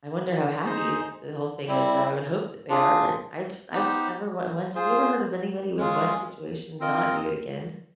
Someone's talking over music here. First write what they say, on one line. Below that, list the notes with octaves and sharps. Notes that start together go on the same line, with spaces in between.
I wonder how happy the whole thing is, though, I would hope that they are, but I was I was never w went have you ever heard of anybody with one situation not do it again?
D#4 G#4 C5 D#5
G3 C4 E4
D4 F4 G#4
B3 D#4 G4 C5
F4 G#4 C5
G#3 C#4 F4 G#4
C4 F4 A#4 D#5